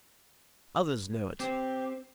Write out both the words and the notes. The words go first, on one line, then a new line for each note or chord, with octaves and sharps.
Others know it.
C4 G4